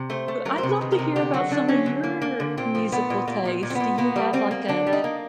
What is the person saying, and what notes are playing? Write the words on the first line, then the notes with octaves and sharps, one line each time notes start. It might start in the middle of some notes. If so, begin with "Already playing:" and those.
I'd love to hear about some of your musical taste. Do you have, like, a
Already playing: C3
A3 C5
A3
F#3 A#4
C5
C3
B4
D#3
A#4
C3
D3 G4
F#3 F#4
D3 D4
F#3 C#4
D3
A#3
A#3
D3
A#2 C4
F3
A#2 B3
A#2
A#2 A#3
A#2
A#2
C4
B3
A#2
A#3 B3
G3
G3 C4
A#3
D3 D4
G3
D#4
A#3